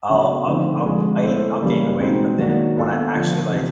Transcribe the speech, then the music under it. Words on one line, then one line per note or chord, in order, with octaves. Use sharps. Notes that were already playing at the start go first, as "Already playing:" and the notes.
I'll I'll I'll I I'll gain the weight, but then when I actually, like,
C#3 F#3 B3 D4
D3 F3 A3 C4 D#4
D3 F3 G#3 C4 F4
A3 C#4 E4 A4 C5
C#3 E3 G3 A#3
B2 G#3 C4 D#4
D#3 F#3 A#3 D4 F#4
B3 D4 F4 A4 D5
D3 F3 A3
C3 E3